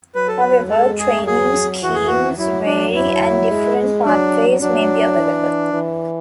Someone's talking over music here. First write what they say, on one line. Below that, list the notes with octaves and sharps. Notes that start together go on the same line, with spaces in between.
However training schemes vary and different pathways may be available.
F#3 B4
A4
B4
G#3 A4
G#4
F#3 G#4
E3 F#4
G#4
F#4
F#3 E4
D4
E4
G#3
F#3 D4
F#3 D4
E3
E3